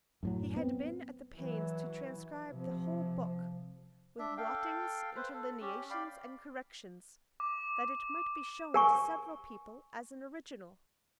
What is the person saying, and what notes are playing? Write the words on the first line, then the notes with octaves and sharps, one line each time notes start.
He had been at the pains to transcribe the whole book, with blottings, interlineations, and corrections, that it might be shewn to several people as an original.
F#2 A2 F#3
B3 C4
E3 F#3
C3 F3
D4 E5
A4 F5 G5
B4 C5
A4
C#4 G4
D5 F5 G5 B5
D6
A#4 G#5 C#6